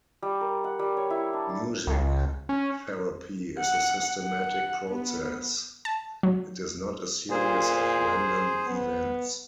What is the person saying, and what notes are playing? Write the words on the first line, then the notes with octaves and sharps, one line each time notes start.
Music therapy is a systematic process; it is not a series of random events.
G3
A#4
F#5
G3
C#5
E4
D4
D4
C#2
C#4
F#5
F#5
B3
A5
F#3
A#2 G#4 C5
B3